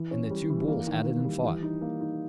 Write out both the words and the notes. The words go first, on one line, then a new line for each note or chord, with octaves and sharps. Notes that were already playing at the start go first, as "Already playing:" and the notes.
And the two bulls at it and fought.
Already playing: E3
C#4
G3
E3
A#3
D#3
A#3
G3
E3
D#4
A#3
D#4